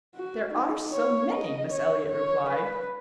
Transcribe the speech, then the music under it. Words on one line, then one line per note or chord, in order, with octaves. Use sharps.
"There are so many ..." Miss Eliot replied.
F#4
D#4
C#5
D#5
C#5
C#5
B4